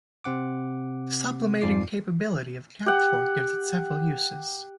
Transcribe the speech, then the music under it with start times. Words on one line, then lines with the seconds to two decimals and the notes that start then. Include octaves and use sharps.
The sublimating capability of camphor gives it several uses.
0.24 C3 C4 F#5 D6
1.61 F2 G#2 F4 D5 D6 C7
2.86 G4 F#5